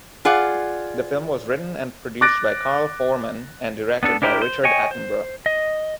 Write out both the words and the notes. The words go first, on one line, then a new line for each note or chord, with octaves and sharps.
The film was written and produced by Carl Foreman and directed by Richard Attenborough.
F4 G#4 D5 F#5
D6 F#6 A6 A#6 D7
B3 D4 A4
D4 E4 G4 A#4 C5
C5
C#5 D#5 G5 G#5 C#6
C5
D#5